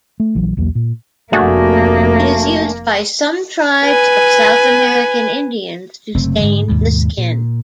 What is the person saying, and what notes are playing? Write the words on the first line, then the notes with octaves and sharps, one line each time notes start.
It is used by some tribes of South American Indians to stain the skin.
A3
A#1 E3 F#3
B1 E2 F#3 A#3
A#2
F1 A3 A#3 D4 F#4 G#4
B4 G#5
F#1 C3 A3 C4
G#2 D3 G#3
D#2 G#2 B2
A#2